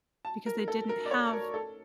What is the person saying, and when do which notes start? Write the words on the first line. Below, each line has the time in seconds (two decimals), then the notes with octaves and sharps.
because they didn't have
0.25 A5
0.46 A#4
0.68 A4
0.89 A#4
1.06 D5
1.11 C#5
1.33 A#4
1.54 A4